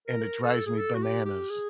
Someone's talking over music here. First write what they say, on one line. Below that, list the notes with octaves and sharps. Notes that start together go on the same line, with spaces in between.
and it drives me bananas.
A#4
A4
G#4
A4
F#4
G4
G4
G#4